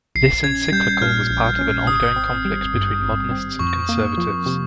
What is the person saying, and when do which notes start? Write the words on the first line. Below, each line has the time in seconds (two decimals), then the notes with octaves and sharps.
This encyclical was part of an ongoing conflict between Modernists and conservatives.
0.15 A#1 C7
0.44 C#4 G#6
0.72 G3 G6
1.01 A#2 F6
1.30 A#1
1.59 C#4
1.87 G#1 D#6
2.16 C4
2.45 G3
2.74 G2
3.03 G#1
3.31 C4
3.59 F2 C#6
3.89 A#3
4.18 F3
4.46 C3